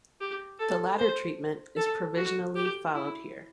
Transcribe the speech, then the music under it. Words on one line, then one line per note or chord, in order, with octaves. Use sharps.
The latter treatment is provisionally followed here.
G4
A4
C5
A4
F#4
G4
E4